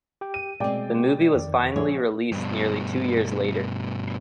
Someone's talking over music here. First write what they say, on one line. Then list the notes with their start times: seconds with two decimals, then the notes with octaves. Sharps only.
The movie was finally released nearly two years later.
0.21 G4 G5
0.34 D#7
0.60 B2 G#3 A3 C4 D5 G5
1.35 F2 D#3
1.76 A#1 G#4 C#5
2.32 G2 B2